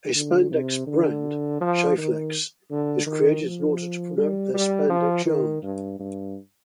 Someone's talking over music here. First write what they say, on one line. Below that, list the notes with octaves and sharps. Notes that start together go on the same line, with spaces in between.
A spandex brand, Sheiflex, is created in order to promote their spandex yarn.
D3
C3
D3
F3
D#3
D3
D#3
F3
G3
G3
F3
D#3
G2
G2